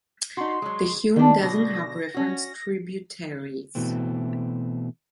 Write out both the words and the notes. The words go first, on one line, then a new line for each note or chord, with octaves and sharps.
The Hume doesn’t have referenced tributaries.
D#4 F#4 C6
F#3 G#3
D#3 G3 D4
B2 D3 A#6
C#4 F#4
B2 E3 A3 C4